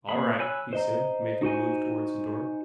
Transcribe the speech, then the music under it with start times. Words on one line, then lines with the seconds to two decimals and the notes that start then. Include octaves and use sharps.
"All right," he said, making a move towards the door.
0.09 A#3 G#4 B5
0.39 C#5 G#5 B5 E6 F#6
0.73 C5 D#5 A#5
1.42 D#4 F#4 C5 G#5